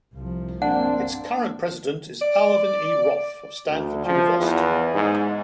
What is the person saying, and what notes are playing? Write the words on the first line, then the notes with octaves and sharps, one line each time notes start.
Its current president is Alvin E. Roth of Stanford University.
C2 F3
A#3 C4 D4 F#5
D5
D2
F3
E2
G#2